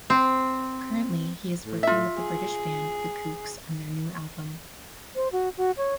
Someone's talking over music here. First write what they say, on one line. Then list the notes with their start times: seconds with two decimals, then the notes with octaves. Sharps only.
Currently he is working with the British band The Kooks on their new album.
0.10 C4
1.64 A2
1.83 F4 E5
2.17 G#4
5.15 C5
5.32 F#4
5.57 F#4
5.77 C#5